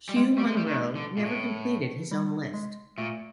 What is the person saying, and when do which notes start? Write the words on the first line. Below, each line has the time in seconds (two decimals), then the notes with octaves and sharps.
Hugh Munro never completed his own list.
0.09 G3
0.17 G#3
0.37 G3 A3
0.47 G#3
0.57 G3
0.67 D#3
0.95 D3
1.17 A#2
1.25 A2
2.11 G3
2.54 G#3
2.98 A#2 A3